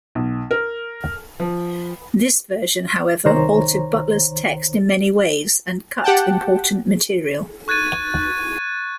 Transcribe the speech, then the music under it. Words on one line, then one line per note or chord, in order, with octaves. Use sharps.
This version however altered Butler's text in many ways and cut important material.
B1
A#4
F3
C2 D#3 C5 C#5 A#5
G4 F#5 G5 A5
C#6 F#6 G#6 A6 D#7